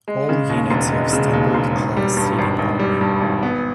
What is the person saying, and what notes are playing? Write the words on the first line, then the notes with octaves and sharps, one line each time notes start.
All units have standard class seating only.
G#3
C#3
D#2
E1
G#3
C#3
D#2
E1
G#1
G3
G2
G#1
G#1
G3
G2
G#1
B3